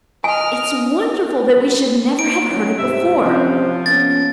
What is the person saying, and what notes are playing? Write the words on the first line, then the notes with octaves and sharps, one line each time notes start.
It's wonderful that we should never have heard it before.
D#5 G#5 F6
D7
D#3 F#3 C#4
G#2 C3 G4 E5
C3 F3 C4 C#4
A#3 B3 C#4 A6